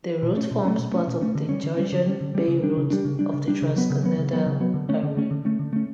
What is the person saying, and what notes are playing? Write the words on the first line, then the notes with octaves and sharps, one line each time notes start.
The route forms part of the Georgian Bay Route of the Trans-Canada Highway.
B2
A3 C#4
B2
A3 C#4
B2
A3 C#4
B2
A3 C#4
D3
G3 C#4
D3
G3 C#4
D3
G3 C#4
D3
G3 C#4
C#3
G3 D4
C#3
G3 D4
C#3
G3 D4
C#3
G3 D4
C#3
F#3 B3
C#3
F#3 B3
C#3
F#3 B3
C#3
F#3 B3
D3
A3 C#4
D3
A3 C#4
D3
A3 C#4
D3
A3 C#4